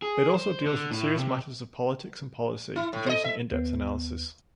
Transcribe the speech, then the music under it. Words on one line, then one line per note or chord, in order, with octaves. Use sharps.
It also deals with serious matters of politics and policy, producing in depth analysis.
G#4
C5
D3
A2
C3
E4
A2
C5 D#5
E5
D#2 B3